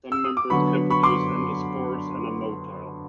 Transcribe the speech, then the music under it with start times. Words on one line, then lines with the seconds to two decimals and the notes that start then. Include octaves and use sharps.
Some members can produce endospores and are motile.
0.12 E6
0.24 D#6
0.37 D6
0.50 D3 F#3 B3 B5 C#6
0.90 B5 C#6
1.03 C6 D6